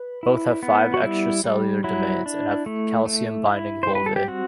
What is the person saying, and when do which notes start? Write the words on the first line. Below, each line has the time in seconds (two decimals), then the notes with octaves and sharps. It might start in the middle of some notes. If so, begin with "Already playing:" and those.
Both have five extracellular domains, and have calcium-binding vulvae.
Already playing: B4
0.23 E4
0.63 B3
0.94 F#4
1.03 G3 E4
1.44 G3
1.84 F#3 E4
2.26 D4
2.66 A3
3.06 A3
3.47 E4
3.83 G3 C5
3.95 B4
4.06 A4
4.16 G4
4.28 C4 F#4